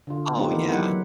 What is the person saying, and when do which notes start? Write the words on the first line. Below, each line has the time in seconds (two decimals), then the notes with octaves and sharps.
Oh, yeah.
0.07 D3 F4
0.36 A3 B3 C4 D#4 F4 G4
0.51 D#3 E3 A#3 B3 E4
0.69 F#3 B3 E4 G4 F#5
0.85 F#3